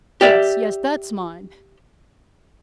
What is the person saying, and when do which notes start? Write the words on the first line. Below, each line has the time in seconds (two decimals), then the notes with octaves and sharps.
Yes, yes; that's mine.
0.21 G4 D5 E5